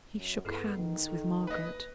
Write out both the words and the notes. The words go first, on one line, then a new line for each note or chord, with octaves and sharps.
He shook hands with Margaret.
F#2
G2 B3 E4 G#4 A4
F#1 D#3
A4
B1 B4 D#5